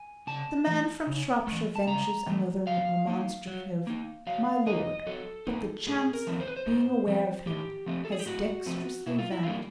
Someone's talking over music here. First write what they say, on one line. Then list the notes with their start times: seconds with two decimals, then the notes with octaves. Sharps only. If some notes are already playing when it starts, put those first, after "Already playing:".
The man from Shropshire ventures another remonstrative "My lord!" but the Chancellor, being aware of him, has dexterously vanished.
Already playing: G#5
0.27 C#3 A5
0.67 E3 A3
1.07 C#3
1.47 E3 A3
1.76 A5
1.87 C#3 A#5
2.27 E3 A3
2.67 F#3 F5
3.07 A#3 D#4
3.47 F#3
3.87 A#3 D#4
4.27 F#3 F5
4.66 A#3 D#4 D#5
5.07 F#3 A4
5.47 A#3 D#4
5.87 A2 G#4
6.14 A#4
6.27 F3 A3 C4
6.40 C5
6.48 B4
6.57 C5
6.66 A2
7.07 F3 A3 C4
7.46 A2 G4
7.86 F3 A3 C4
8.05 A4
8.12 G#4
8.20 G4
8.26 A2 F#4
8.66 F3 A3 C4
9.06 B2 E4
9.19 F4
9.31 E4
9.43 G3 A#3 D4 F4